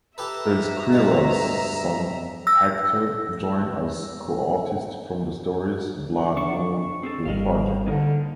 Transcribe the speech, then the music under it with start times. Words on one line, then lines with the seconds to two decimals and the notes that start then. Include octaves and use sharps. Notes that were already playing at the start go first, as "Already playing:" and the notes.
Ezquerra's son Hector joined as co-artist from the stories "Blood Moon" to "The Project".
0.18 G4 A4 B4 E5 A#5
0.93 G2 B2 G#3
2.47 E6 A#6
6.37 D4 C#6
7.03 C4 G#4 A4
7.25 G#1 G3 A#4 D#5 F5
7.87 D3 A#3 D#4 A#4